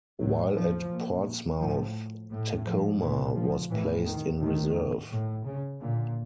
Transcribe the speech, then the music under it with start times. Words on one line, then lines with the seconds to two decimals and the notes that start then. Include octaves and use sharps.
While at Portsmouth, "Tacoma" was placed in reserve.
0.20 A2 F#3
0.55 F3
0.90 A#2
1.60 A2 F3
2.30 A2
2.65 F3
3.00 A#2 E3
3.35 F3
3.70 A2 E3
4.05 D#3
4.39 A2 D#3
5.10 A2
5.45 C#3
5.80 A#2 D3